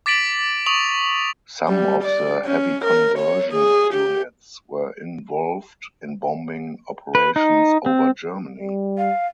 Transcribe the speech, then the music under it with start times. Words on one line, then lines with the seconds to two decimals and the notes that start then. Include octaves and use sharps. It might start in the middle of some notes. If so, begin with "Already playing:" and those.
Some of the heavy conversion units were involved in bombing operations over Germany.
0.06 D6 A6 B6 D7 F#7
0.66 C#6 D#6 F7 F#7
1.68 G3
2.04 D5
2.45 C#4
2.84 A#4
3.18 C#5
3.52 G#4
3.93 G4
7.15 B4
7.36 D#4
7.86 C4
8.59 G3
8.98 F5